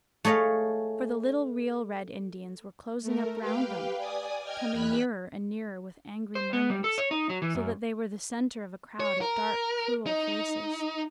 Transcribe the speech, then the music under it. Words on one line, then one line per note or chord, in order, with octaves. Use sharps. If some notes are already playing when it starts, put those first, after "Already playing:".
For the little real Red Indians were closing up round them - coming nearer and nearer with angry murmurs - so that they were the centre of a crowd of dark, cruel faces.
A3 G#4 C#5 D#5 F5
A3 A#4
G4 B4 F5 G5
D5 G#5 D#6
D#5 G5 F6 G#6
E2 B5 F#6 B6
C5
B3
G3
A4
C#5
D#4
F#3
E3
F#2
C#5
A#4
D#4